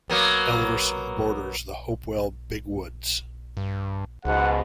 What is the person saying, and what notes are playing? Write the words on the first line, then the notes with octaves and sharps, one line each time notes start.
Elverson borders the Hopewell Big Woods.
F#3 A#3 B3
G2
C#2 G#2 B2 F#5